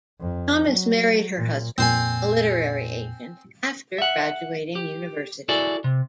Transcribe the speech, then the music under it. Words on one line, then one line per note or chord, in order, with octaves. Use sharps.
Thomas married her husband, a literary agent, after graduating university.
F2
F#3
A#2
F2 A#2 C4 C5 G#5
E5 F#5
G4
E4 F#4 G#4 A4 D5
C3